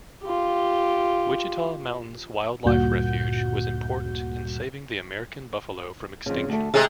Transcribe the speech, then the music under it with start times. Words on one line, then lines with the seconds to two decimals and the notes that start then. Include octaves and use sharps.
Wichita Mountains Wildlife Refuge was important in saving the American buffalo from extinction.
0.22 F4 G4
2.65 D2 G2 A#2 F#4 F#5 G6
6.26 F2 C#3
6.49 D2 A3
6.74 C3 G#3 G#4 E5